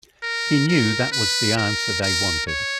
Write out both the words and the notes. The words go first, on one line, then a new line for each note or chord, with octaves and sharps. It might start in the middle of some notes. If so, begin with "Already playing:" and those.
He knew that was the answer they wanted.
A#4
A#4
B4
A#4
A#4
C#5